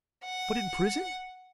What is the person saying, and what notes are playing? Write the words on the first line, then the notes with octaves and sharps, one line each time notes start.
"But in prison?"
F#5